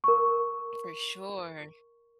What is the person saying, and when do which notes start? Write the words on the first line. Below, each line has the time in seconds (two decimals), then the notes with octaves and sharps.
For sure.
0.04 A#4 C#6